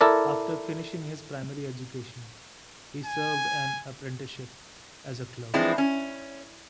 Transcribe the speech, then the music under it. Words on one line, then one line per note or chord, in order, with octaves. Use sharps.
After finishing his primary education, he served an apprenticeship as a clerk.
E4 A4 A#4 D5
G#5
E3 F3 G#3 C4 D4 E4
C#4